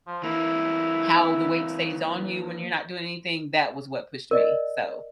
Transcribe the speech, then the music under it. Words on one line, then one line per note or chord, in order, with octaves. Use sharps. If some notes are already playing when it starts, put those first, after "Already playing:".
how the weight stays on you when you're not doing anything, that was what pushed me, so
F3
E3 A#3 E4
A#4 D5 D#5